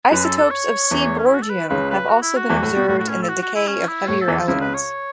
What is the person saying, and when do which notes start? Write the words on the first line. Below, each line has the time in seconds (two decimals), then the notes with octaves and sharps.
Isotopes of seaborgium have also been observed in the decay of heavier elements.
0.11 F#2 F#3 B4
0.25 A4
0.38 A4
0.51 C#5
0.91 E2 E3
1.18 C#4
1.26 E4
1.35 F#4
1.42 A4
1.50 B4
1.70 C#2 C#3 B4
1.91 B4
2.10 F#4
2.22 E4
2.37 F#4
2.49 E2 E3
2.62 A2
2.76 B2
2.88 A2 F#4
2.99 F#4
3.09 C#4
3.22 A4
3.29 F#4
3.42 F#4
3.56 E4
3.68 C#4
3.89 E4
4.08 A2 C#5
4.21 A4
4.27 E2 E3
4.34 A4
4.48 C#2 C#3 E4
4.61 B4
4.74 C#5